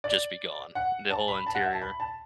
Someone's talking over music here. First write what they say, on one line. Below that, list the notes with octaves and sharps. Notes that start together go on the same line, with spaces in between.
just be gone, the whole interior.
D5
F#5
A5
B5
A5
F#5
E5
A5
B5
A5